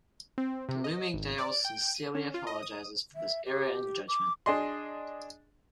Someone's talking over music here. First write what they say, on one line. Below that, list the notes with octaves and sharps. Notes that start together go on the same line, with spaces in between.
Bloomingdale's sincerely apologizes for this error in judgment.
C4
C3
D#5
G#1
D5
G5
D#7
C#4
F4
D#5
D#6
E5
G4
D6
D4 G#4 D#5 C6